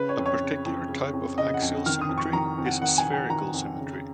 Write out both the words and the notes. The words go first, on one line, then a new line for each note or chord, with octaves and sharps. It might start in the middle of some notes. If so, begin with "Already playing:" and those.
A particular type of axial symmetry is spherical symmetry.
Already playing: C#3 B4
C#5
F2
C#5
C#3
F2
C#3
F2
C#3 D#5
F#5
F2
D#3 F6
D#6
F2
C#6
D#3 A#5
F2
F#5
D#3 F#5
G#5
F2
G#5
D#3 A#5
F2
C#3